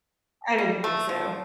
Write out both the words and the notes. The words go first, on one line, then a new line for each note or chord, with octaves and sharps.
I didn't think so.
G3
A3
F3